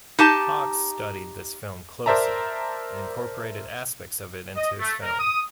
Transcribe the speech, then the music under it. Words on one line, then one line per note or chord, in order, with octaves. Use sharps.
Hawks studied this film closely and incorporated aspects of it into his film.
D#4 G4 A5
A#4 C5 D5 E5 A5 A#5
D#5
A3
A#4
D#6